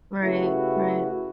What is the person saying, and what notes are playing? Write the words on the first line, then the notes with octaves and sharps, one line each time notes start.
Right. Right.
C#3 A3 E4 F#4 G4 B4